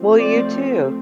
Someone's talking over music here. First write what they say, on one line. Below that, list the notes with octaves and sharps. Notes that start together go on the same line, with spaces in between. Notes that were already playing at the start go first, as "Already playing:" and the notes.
Well, you too.
Already playing: F3 A3 C4
D5